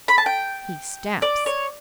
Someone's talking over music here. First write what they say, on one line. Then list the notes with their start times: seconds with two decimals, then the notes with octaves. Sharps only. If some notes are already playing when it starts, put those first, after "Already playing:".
He stamps.
0.08 B5
0.18 A5
0.26 G5
1.22 D5
1.46 C#5